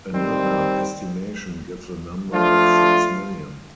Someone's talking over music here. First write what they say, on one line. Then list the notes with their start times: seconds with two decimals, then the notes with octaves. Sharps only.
Another estimation gives a number of six million.
0.12 D#3 G3 C4
2.33 F3 A3 D4 F4